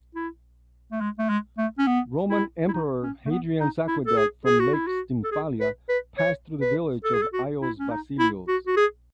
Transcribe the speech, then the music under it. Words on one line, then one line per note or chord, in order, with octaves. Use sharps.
Roman emperor Hadrian's aqueduct from Lake Stymfalia passed through the village of Ayios Vasilios.
E4
A3
G#3
A3
G#3
A3
C#4
B3
E4
E4
D#4
C#4
A3
B3
D#4
E4
A4
G#4
G#4
F#4
E4
F#4
A4
G#4
B4
B4
C#5
B4
A4
G#4
A4
F#4
E4
C#4
D#4
E4
F#4
F#4
G#4